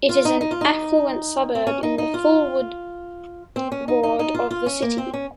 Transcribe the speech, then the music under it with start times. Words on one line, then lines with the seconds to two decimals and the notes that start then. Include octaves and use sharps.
It is an affluent suburb in the Fulwood ward of the city.
0.09 F4
0.25 D#4
0.41 D#4
0.51 F4
0.61 D#4
1.55 C4
1.67 C#4
1.83 D#4
1.98 D#4
2.14 F4
3.56 C4
3.72 C#4
3.88 D#4
4.03 D#4
4.19 D#4
4.35 F4
4.51 F4
4.66 C#4
4.82 A#3
4.98 C4
5.13 C#4